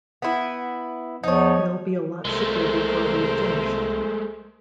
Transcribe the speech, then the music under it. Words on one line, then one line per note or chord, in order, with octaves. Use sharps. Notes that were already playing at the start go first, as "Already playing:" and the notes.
They'll be a lot sicker before we've finished.
B3 E4
E2 F3 D#4 C#5
C2 G#3 A3 A#4 C5